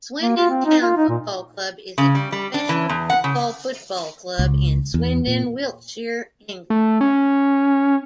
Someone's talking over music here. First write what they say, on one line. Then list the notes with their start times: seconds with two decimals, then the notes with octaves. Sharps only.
Swindon Town Football Club is a professional football football club in Swindon, Wiltshire, England.
0.22 A#3
0.37 F4
0.50 C4
0.65 D#4
0.82 F4
0.97 D#4
1.09 A#2
1.98 C#3
2.15 G3
2.32 G3
2.54 D4
2.69 E3
2.89 E2
3.10 F#5
3.24 C#3
4.39 C#2
4.94 E2
5.27 A#2
6.70 A3
7.01 C#4